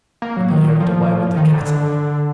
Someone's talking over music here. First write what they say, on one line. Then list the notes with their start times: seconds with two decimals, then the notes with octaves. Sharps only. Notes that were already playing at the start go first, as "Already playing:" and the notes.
Then he hurried away with the cattle.
0.22 A#3
0.37 F#3
0.51 D#3
0.81 F3
1.37 D#3
1.52 D3